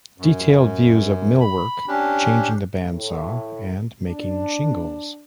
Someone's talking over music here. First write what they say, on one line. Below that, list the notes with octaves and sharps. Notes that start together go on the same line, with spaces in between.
Detailed views of mill work, changing the bandsaw, and making shingles.
F#2
B5
C#4 D4 G4
A2
D4